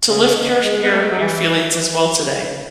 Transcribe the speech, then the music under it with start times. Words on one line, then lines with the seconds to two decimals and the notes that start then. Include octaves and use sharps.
to lift your your your feelings as well today.
0.09 C#3
0.22 C#3
0.34 D#3
0.64 G#3
0.83 B3
0.92 A3
1.01 G#3
1.11 F#3
1.19 E3